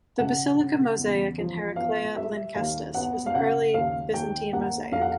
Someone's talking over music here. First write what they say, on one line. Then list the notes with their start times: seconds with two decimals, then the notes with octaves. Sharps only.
The Basilica Mosaic in Heraklea Lynkestis is an early Byzantine mosaic.
0.18 C#3 F#5
0.59 C#3
0.98 E2
1.38 F3
1.76 B3 F5
2.16 G3 E5
2.55 D#2 F5
2.94 B3 F#5
3.26 F5
3.35 C#3 F#5
3.74 D#2 F5
4.14 D#2 G5
4.53 A#3 F#5
4.92 F2 F5
5.01 F#5